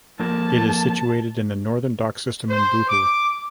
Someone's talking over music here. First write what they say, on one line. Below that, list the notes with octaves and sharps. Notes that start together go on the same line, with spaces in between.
It is situated in the northern dock system in Bootle.
F2 A#3 A5
C5
D6